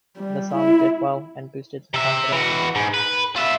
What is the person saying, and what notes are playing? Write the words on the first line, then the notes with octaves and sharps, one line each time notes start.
The song did well, and boosted his confidence.
G3
E4
C3 E5
E3 F#4
G#2
B4
F4 E5